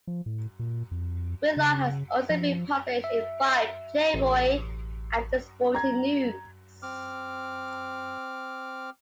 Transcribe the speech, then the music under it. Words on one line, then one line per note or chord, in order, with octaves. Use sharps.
Whitlock has also been published in "Vibe", "Playboy", and "The Sporting News".
F3
A2
A#2
F2
C#3
F3
E5
A1
A#5 G#6
C4 D6 F6